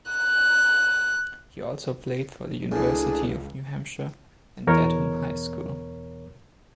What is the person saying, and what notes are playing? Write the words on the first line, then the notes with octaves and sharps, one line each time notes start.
He also played for the University of New Hampshire and Dedham High School.
F#6
C#2 A2 E3 D4 G#4
E2 B2 A#4 C#5